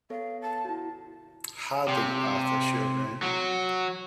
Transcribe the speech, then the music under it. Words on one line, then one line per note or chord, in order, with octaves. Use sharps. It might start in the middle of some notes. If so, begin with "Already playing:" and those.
Hardy, Arthur Sherburne.
B3 A4 C#5 F5
A5
E4 F#4
C3
F#3